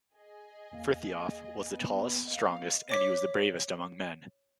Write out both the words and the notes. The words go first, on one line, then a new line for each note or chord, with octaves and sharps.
Frithiof was the tallest, strongest and he was the bravest among men.
G#4 D#5
E2 A#3 F5
B3
D#5 F5
C#5 D6 B6